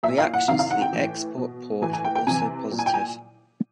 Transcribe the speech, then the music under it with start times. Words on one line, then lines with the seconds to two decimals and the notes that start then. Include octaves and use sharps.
Reactions to the Xbox port were also positive.
0.03 A#2 E5
0.18 F5
0.34 F#5
0.48 C3 F5
0.51 D#3
0.59 F5
0.71 F#5
0.81 G5
0.93 A2 E3
1.38 B2
1.81 A2 E3 G#5
1.93 G#5
2.04 G5
2.15 G5
2.27 C3 E3 G#5
2.72 A#2
2.79 G#5
2.86 G5
2.94 G#5